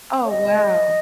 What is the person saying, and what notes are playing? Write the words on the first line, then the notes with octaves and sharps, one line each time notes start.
Oh, wow.
C#5
D#5